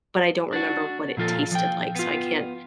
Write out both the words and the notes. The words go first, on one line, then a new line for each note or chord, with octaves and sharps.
but I don't remember what it tasted like, so I can't
D4 F#4
A#2 F3 F4 A4
F3 G5
B3 F4